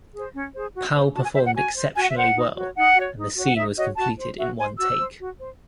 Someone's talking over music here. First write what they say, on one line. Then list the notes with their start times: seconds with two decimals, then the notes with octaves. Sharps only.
Pal performed exceptionally well and the scene was completed in one take.
0.13 G#4 C5
0.34 C#4
0.54 G#4 C5
0.74 F#4
0.95 C5
1.14 F#4 A5
1.25 G#5
1.34 C5 E5
1.45 F#5
1.55 F#4 G#5
1.75 C5
1.95 F#4 G#5
2.03 F#5
2.10 E5
2.16 C5 F#5
2.36 D#4
2.56 F#4 C#5
2.76 D#4 F#5
2.96 F#4 C#5
3.16 D#4
3.37 F#4 C#5
3.45 F#5
3.56 D#4 E5
3.77 F#4 C#5 D#5
3.97 F#4 A5
4.17 C5
4.38 F#4 E5
4.58 C5 G#5
4.78 F#4 E6
4.98 C5
5.18 F#4
5.38 C5